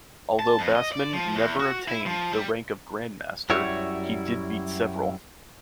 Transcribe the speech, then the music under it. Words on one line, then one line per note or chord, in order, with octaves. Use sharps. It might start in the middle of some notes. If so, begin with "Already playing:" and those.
Although Basman never attained the rank of grandmaster, he did beat several.
A5
F2
D#5
D5
F3
E2
F#4
E4
F3
G3
F#2 G3 E4 F#4 C#5